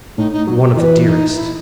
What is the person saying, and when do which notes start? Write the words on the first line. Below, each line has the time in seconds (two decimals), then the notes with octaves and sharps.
One of the dearest.
0.17 A2 D#4
0.32 D#4
0.47 F#3
0.62 G4
0.77 E3 D#5
0.80 B4
1.06 D#4
1.35 E4